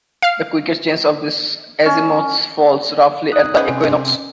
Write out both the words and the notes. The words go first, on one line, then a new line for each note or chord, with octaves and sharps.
The quickest change of these azimuths falls roughly at the Equinox.
F5 F6
C#4
D#4 D#6 F#6
C#3 G#3 B3 C#4 G#4 C5 D#5
C3 G#5